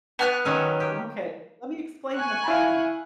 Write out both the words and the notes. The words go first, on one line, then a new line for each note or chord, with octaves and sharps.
Okay. Let me explain what happened.
B3 F6 F#6
D#3 F#3 C#4
G4
G#5 C#6 F#6
E4 F5